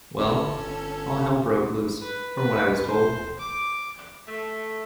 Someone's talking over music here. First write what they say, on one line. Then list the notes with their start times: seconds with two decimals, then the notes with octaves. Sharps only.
Well, all hell broke loose, from what I was told.
0.18 G1 C#4 A4
2.01 B4
2.36 B4
2.86 C5
3.39 D6
4.28 A3